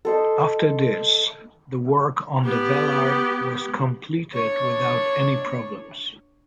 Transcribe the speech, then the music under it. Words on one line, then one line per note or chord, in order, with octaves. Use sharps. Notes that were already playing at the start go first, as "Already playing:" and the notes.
After this, the work on the Vellard was completed without any problems.
A4 C5 D#5
B3 G4
D4 C#5